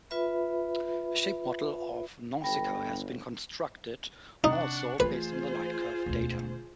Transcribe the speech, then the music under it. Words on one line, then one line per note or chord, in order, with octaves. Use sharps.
A shape model of Nausikaa has been constructed, also based on the lightcurve data.
F4 B4 E5 B5
G1 G5 B5 A#6
C3 D4 D#4 F#5 C#6
E3 A3 F4 G#4 B4 C5
E1 D2